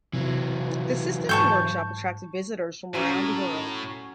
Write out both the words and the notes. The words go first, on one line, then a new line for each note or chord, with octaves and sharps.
The system and workshop attracted visitors from around the world.
C3 E3 F#3
G#2 A5 C#6 G6
A2 F#3 C#4 C#5